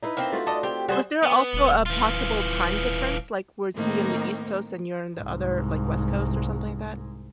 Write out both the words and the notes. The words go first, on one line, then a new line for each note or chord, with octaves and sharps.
Was there also a possible time difference? Like, was he in the East Coast and you're in the other, like, West Coast, or something like that?
D#4 E4 B4
A#3 C4
A3 F4 F#4
A4 D5 D#5
C4 G4
G3 F#4 G#4 C5
B3
D#1
E3 F4
A2 D#3 A#3 C4 D#4
C2 G#2